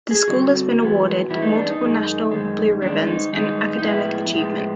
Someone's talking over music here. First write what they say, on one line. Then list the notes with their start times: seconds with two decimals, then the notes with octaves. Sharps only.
The school has been awarded multiple national blue ribbons in academic achievement.
0.11 G#4
0.28 D3 G3 C4 F#4
0.78 G2 E3 G#3 B3
1.29 G2 E3 G#3 B3 E4
1.42 D#4
1.55 D4
1.68 D#4
1.81 F#2 D#3 G#3
2.31 F#2 D#3 G#3
2.81 G2 D#3 G#3 D4
3.07 D#4
3.33 G2 D#3 G#3 D#4
3.78 D#4
3.82 A2 F3 G#3 B3 E4
4.34 A2 F3 G#3 B3